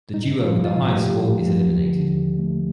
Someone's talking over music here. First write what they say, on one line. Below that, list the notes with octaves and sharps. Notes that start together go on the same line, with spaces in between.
The duo with the highest score is eliminated.
G2 D#4
F3 F4
G2 F4
A3 G4
G2
F3
D#2
D3
D#2
A3